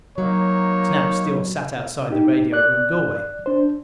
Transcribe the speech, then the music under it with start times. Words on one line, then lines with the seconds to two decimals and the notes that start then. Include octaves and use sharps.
Snap still sat outside the radio room doorway.
0.18 F#3 A#3 D#4 C#5
2.10 D#4 G4
2.53 D5 F#6
3.46 D4 C5